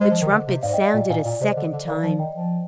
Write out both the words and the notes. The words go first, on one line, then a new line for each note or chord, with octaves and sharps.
The trumpets sounded a second time.
G#3 C5 D#5
F3
D#3
D3
C3
G#2 D5 F5
D#5 G5
D5 F5
A#2
A#2 F5 G#5
A#2 D5 F5
C3 C5 D#5
D3
D3
D#3 D5 F5
F3
D#3 D#5 G5
F3